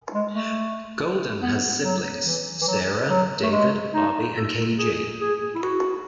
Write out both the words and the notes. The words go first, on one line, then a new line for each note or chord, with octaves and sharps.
Goldin has siblings: Sarah, David, Bobby and Katie-Jane.
G#3
A3
B3
F#3
E3
E3
F#3
F#3
A3
G#3
D#4
A4
G#4
G#4
E4
F#4